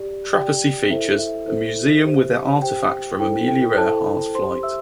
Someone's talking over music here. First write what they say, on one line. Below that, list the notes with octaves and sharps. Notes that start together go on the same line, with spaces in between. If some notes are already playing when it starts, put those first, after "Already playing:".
Trepassey features a museum with artifacts from Amelia Earhart's flight.
Already playing: G4 D5
G4 D5 G5
E4 A4 C5 E5
E5
E4 A4 C5
G4 C5
G4 C5 G5
E4 A4 C5 G5
G5
E4 A4 C5 A5
G4 C5 C6
E5 E6